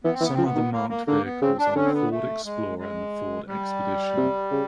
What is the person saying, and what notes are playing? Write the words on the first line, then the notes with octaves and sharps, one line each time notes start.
Some other marked vehicles are the Ford Explorer and Ford Expedition.
E3 B3
C4
E3
B3
F3 C4
B3
D#3
A#3
A#3
D3 A#3
B3
C#3 C4
D4
D3 C#4
C4
B3
A3
G#3
G#3
G3
C3
C#3